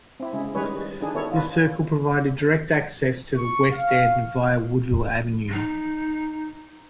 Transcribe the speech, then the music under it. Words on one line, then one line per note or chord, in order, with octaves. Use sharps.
This circle provided direct access to the West End via Woodville Avenue.
C4 E4
C#3 G#3 E4 G#4
D#3 G3 G#3 G#4 B4 C#5
D#3 E3 D4 G#4
D#3 B3 E4 A4 C#5
F4 B4
C#6
F5
D#4